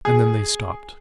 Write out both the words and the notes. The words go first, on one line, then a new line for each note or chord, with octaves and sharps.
And then they stopped.
G#4